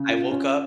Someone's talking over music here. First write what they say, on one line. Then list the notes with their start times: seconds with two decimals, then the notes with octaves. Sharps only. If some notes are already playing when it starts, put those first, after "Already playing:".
I woke up
Already playing: C#3
0.09 F4
0.31 C#4